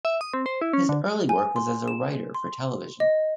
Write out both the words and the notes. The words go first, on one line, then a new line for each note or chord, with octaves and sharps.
His early work was as a writer for television.
E5
D#6
C4
C5
E4
C#4
D3
G#5
C6
E7
C6
D#5